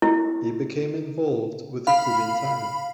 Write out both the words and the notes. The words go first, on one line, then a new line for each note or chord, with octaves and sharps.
He became involved with the Kuomintang.
E4
F5 B5